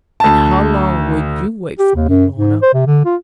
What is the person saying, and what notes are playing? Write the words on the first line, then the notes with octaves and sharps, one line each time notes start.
And how long would you wait for me, Lorna?'
D2 A5
G4
D#2
F#2
G#2
C5
C3
D3
F4